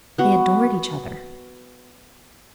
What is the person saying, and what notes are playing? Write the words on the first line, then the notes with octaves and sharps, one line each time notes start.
They adored each other.
B3 F#4